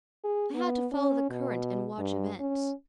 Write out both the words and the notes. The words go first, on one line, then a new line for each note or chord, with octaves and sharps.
I had to follow the current and watch events.
G#4
B3
C#4
B2
G2
C#4